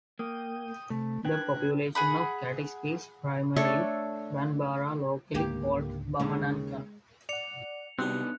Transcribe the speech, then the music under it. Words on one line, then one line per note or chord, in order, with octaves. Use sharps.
The population of Kati speaks primarily Bambara locally called Bamanankan.
A#3 G5 D#6
C3 A3
D4 B4 G5 F#6 G#6
G#4 F#5 B5
A3 D4 A4 C#5
C#2 G#2 D3 A#3 G4
D#2 C#3 G#3
D5 F#5 C#7 F7
C3 G3 B3 D4 D#4 F#4 G4 F#6